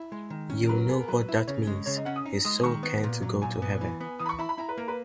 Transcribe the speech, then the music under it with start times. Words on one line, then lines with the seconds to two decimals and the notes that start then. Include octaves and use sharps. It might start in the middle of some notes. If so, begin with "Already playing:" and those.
You know what that means; his soul can't go to heaven.
Already playing: E4
0.12 G#3
0.30 D#3
0.50 C#4
0.65 A#4
0.69 F#3 B4
0.79 A#4
0.89 B3 G#4
0.99 A#4
1.08 F#3 B4
1.29 E4
1.47 C#3 C#5
1.67 G#3
1.86 C#3 C#5
1.97 D#5
2.05 C#4 F#5
2.16 D#6
2.26 D#4
2.45 G#3 D#6
2.64 D#3 C#6
2.83 B3
3.04 A#2
3.22 F#3
3.42 A#2 G#5
3.62 B3
3.81 E3
4.01 B3
4.19 E3 D#6
4.26 B5
4.29 C#6
4.39 E4 B5
4.49 B5
4.58 E4 A#5
4.69 B4
4.78 A#3 A#4
4.88 B4